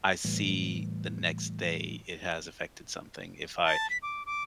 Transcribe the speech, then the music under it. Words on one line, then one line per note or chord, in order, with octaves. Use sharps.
I see the next day it has affected something, if I
A2 E3 G3 A3
A5
B6
D6
D6